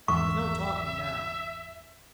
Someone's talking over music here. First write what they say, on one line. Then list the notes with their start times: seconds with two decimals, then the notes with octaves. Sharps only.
There was no talking now.
0.08 G#1 E2 E5 C#6